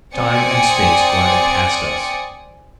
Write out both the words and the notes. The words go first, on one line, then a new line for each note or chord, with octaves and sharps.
Time and space glided past us.
C4 D5 G5 G#5 D#6 C#7